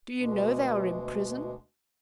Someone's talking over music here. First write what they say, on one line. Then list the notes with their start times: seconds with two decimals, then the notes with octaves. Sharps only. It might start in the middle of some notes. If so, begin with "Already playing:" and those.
"Do you know they are in prison?"
0.19 D2 B2 G#3 D4